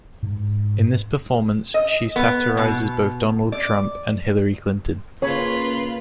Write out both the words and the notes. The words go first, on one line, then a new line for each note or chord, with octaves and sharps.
In this performance, she satirizes both Donald Trump and Hillary Clinton.
G#2
D#5
B3
B2
D5
C#3 A#3 F4 B4 C#5